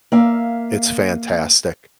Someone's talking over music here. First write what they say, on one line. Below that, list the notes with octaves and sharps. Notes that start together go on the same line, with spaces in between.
It's fantastic.
A#3 E5 F5